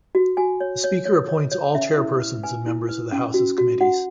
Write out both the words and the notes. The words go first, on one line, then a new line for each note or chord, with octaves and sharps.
The Speaker appoints all chairpersons and members of the House's committees.
F#4
F#4 G#5
C#5
C#5
C#5
C#5
C#5
C#4 E5
E4
B4
B4 G#5
E4
B4
C#4
F#4
F#4
F#4 F#5